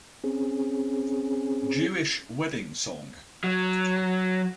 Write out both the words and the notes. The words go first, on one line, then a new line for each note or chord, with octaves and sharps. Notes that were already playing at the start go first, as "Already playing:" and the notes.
Jewish Wedding Song.
C4 C#4 G#4
F#3